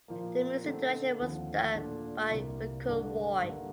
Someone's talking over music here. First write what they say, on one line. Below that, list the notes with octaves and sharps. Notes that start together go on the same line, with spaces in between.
The music direction was done by Mukul Roy.
A#2 F3 A#3
D3 A3 C4 D#4
D#2 D3 F3 C4
A#2 A3 D4 F4
C2 C3 G3 A#3
G2 D3 A3 D4
G2 D3 G3 A#3